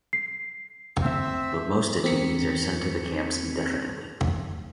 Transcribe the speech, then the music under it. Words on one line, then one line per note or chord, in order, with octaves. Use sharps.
But most detainees are sent to the camps indefinitely.
C7
C4 E5
E2 C4 A#4 B6 C#7